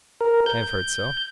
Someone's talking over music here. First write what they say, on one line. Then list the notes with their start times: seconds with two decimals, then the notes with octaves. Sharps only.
"I have heard so."
0.21 A#4
0.46 G6